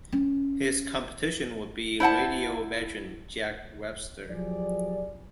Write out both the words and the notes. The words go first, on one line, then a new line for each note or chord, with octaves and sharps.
His competition would be radio veteran Jack Webster.
C#4
E4 C5 F#5 A5
F3 F#3 G4 G#4 D5